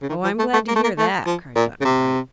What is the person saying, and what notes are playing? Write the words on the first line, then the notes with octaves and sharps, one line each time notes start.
"Oh, I'm glad to hear that!" cried Button-Bright.
C#3
D#3
F3
A3
A3
A#3
A3
A#3
A3
F3
A#2
C#3
C3